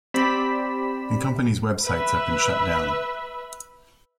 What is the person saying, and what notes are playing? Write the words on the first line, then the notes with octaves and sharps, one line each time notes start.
The company's websites have been shut down.
C4 G4 D5 B5 B6 E7
B4 E5